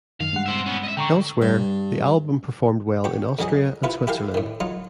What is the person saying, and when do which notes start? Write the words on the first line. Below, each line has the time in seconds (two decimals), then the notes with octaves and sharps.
Elsewhere, the album performed well in Austria and Switzerland.
0.20 F#2 D#3 F5
0.33 G2 G#3 F#5
0.46 C5 E5
0.66 B3 C#4
0.83 D#5 E5
0.97 D3 G5 A#5 C#6
1.42 G2
3.04 F#4 G4
3.39 F2 D3 F#3 G#4 D#5
3.83 C3 E4 F4 B4
4.07 E4 G4 A4 A#4 F5
4.34 A2 D#3
4.60 F#3 D#4 F4